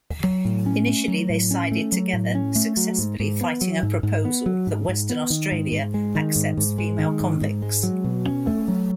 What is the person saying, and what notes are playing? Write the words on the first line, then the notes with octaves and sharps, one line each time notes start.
Initially they sided together, successfully fighting a proposal that Western Australia accept female convicts.
F#3
A2
C#4
A3
F#3
A2
C#4
A3
F#3
A2
C#4
A3
F#3
G#2
G#2
B3
F#3
G#2
G#2
B3
F#3
G#2
G#2
B3
D#3
G#2
G#2
G#3
D#3
G#2
G#2
G#3
D#3
G#2
G#2
G#3
F#3
B2
C#4
A3
F#3